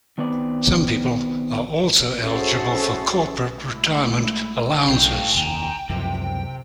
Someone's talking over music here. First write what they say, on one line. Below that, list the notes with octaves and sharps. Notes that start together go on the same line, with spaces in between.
Some people are also eligible for corporate retirement allowances.
D#3 B3 C4 D5
C#4 E4 F#4 G#4 A4 C5
G#3 A3 E4
B1 A2 F5 G5
F1 D#2 G#5 A#5
C#2 F#2 C3 F3